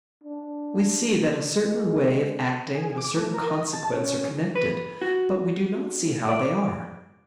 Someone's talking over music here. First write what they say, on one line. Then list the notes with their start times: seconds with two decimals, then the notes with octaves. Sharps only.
We see that a certain way of acting and a certain consequence are connected, but we do not see how they are.
0.23 D4
1.63 G#3
2.75 G#4
2.98 D6
3.16 A3
3.34 A#4
3.50 D#5
3.73 A5
3.94 C#4
4.55 B4
5.02 F#4
6.29 D5